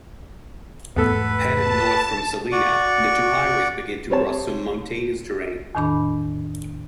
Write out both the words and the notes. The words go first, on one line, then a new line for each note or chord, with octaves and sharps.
Headed north from Salina, the two highways begin to cross some mountainous terrain.
E2 G#2 A3 B3 A4 B4
A5
F#4 D5 C#6
G3 C4 C#5 A5
E2 A2 D#3 D4 B5